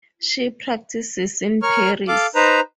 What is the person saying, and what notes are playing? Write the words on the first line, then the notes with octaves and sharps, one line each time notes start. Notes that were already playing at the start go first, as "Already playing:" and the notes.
She practices in Paris.
A#4 C#5 C#6 F6
A4 F5 D6
D#4 B4 C5 A#5